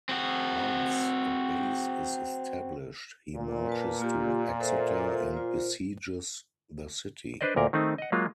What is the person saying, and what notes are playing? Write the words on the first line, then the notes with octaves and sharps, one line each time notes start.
Once a base is established, he marches to Exeter and besieges the city.
C4 F#4
A#2
B4 A5
A#3 F4 G4
A4 C5 E5
F4 C5
D4 B4 C5 D5 D#5
D2 A#2 A#4
D#3 A3 C4 D#4
D#5 F#5
F#3 G#3 A#3 F4